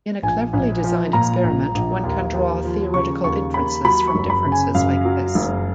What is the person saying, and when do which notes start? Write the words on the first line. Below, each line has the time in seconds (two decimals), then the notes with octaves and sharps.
In a cleverly designed experiment, one can draw theoretical inferences from differences like this.
0.23 A#1 G#5
0.53 A#1
0.84 F3
1.13 A#2 A#5
1.44 A#1
1.74 A#1
2.04 D#2
2.34 D#2
2.64 F3
2.94 C#3 C#6
3.24 D#2 C#6
3.54 D#2 B5
3.84 F#3 B5
4.07 C#6
4.15 F#1
4.30 B5
4.45 C#3
4.52 G#5
4.75 F#2 F5
5.05 F#3
5.35 F#1